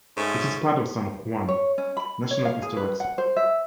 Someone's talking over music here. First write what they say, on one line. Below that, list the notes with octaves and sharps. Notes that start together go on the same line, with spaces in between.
It is part of San Juan National Historic Site.
G#2 A3 C#4
C#5
C#4
B5
C#5
F5
G#4
B4
F#5
C5
E5